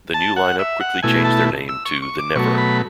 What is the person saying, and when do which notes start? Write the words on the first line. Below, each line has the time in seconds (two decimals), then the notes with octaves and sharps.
The new lineup quickly changed their name to The Never.
0.14 A5
0.36 F#5
0.59 E5
0.80 F#5
1.03 B2 A3 E4 G#5
1.25 A5
1.69 E6
1.85 C#6
2.02 C#6
2.19 D6
2.36 B2 F#3 A3 C#6
2.58 B5